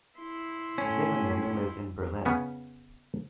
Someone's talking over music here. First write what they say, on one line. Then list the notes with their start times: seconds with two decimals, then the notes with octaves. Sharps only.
Zimmermann lives in Berlin.
0.19 E4 C6
0.78 A2 C#4
2.25 C#3 B3 C#4